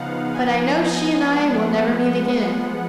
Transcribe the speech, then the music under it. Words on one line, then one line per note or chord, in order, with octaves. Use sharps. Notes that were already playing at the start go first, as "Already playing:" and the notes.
But I know she and I will never meet again.
Already playing: C#3 F3 B3 D#4 F5 F#5
F3 B3 D#4 G#5
D#5
F3 G#3 B3 F#5